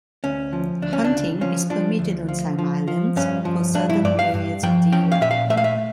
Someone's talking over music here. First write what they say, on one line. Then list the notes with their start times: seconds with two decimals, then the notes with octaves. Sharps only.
Hunting is permitted on some islands for certain periods of the year.
0.24 D2 C#4
0.53 F3
0.82 D2 D4
0.93 C#4
1.04 D4
1.12 C#3
1.41 F3 C#4
1.70 F3 D4
1.99 D2
2.28 F3
2.59 F3
2.88 F3
3.16 G2 C#4
3.45 F3
3.75 G2 D4
3.89 E4
4.05 G2 D5
4.19 F5
4.34 G2
4.63 F3 G5
4.92 C#4 G5
5.12 F5
5.21 A#2 E5
5.31 F5
5.50 A3 E5
5.57 F5
5.64 E5